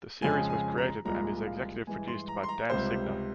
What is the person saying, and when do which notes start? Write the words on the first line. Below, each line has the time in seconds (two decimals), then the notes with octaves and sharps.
The series was created and is executive produced by Dan Signer.
0.22 F2 C#3 F3 G#3 G#5
0.50 G#5
0.78 A#5
1.05 C2 A#2 F3 G#3 A#5
1.46 F5
1.87 G2 E3 G#3 G#5
2.08 C6
2.28 A#5
2.43 C6
2.49 A#5
2.70 C#2 C3 G3 C5